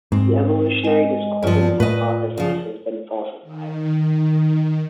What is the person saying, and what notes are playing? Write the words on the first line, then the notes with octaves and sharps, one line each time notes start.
The evolutionary discordance hypothesis has been falsified.
G#2 C4
G#3 D#5
G2 F3 F4 D5
A2 B4 D#5
C#3 F3
D#3